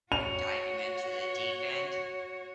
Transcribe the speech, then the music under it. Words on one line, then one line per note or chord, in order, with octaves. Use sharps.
and diving into the deep end.
F#4 C#5 F7